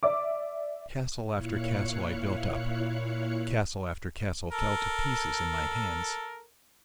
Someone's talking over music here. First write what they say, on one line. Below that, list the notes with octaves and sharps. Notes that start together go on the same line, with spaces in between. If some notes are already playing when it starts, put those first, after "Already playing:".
Castle after castle I built up; castle after castle fell to pieces in my hands.
D5 E5 D6
A#2 E4 C#5 F5 F#6 C#7
A4 A#4